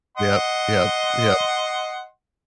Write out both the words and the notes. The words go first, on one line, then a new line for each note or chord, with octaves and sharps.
Yep, yep, yep.
D#5 F#5 C6